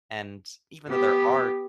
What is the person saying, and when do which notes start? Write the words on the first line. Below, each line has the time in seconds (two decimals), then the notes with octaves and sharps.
and even though there are
0.89 B3 G4